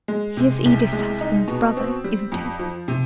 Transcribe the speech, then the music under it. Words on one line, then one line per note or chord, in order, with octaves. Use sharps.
He is Edith's husband's brother, isn't he?
G#3
C3
C2
G#3
D#4
B2
C4
G3
F2
F3
C3